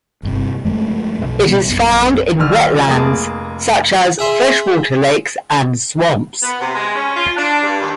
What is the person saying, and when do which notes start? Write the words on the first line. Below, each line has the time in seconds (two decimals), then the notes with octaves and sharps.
It is found in wetlands such as freshwater lakes and swamps.
0.23 G1 G2 C3
0.64 F#2 F3 G#3 A3
1.19 B1 B2
1.47 B2 G3 B3
1.69 A#1 F#2
2.39 D#1 A#1 E6 F6
2.87 F1 A#3 G#4 A5 D#6
4.19 G#4 E5 C6
6.42 B3
6.60 C3
6.74 G#3
6.95 C#4
7.16 F4
7.36 D4
7.63 G2
7.80 D#2